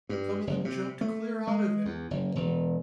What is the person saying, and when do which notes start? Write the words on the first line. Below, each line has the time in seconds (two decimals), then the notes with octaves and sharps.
Some of them jumped clear out of it.
0.09 G2
0.47 F#1
0.65 C3
1.01 A3
1.47 G#3
1.85 E2
2.11 F#1
2.35 E1